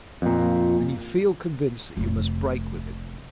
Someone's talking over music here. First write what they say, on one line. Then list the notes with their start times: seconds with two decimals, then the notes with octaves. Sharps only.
"And you feel convinced that you must break with him?"
0.22 F2 A#2
1.97 F1 C3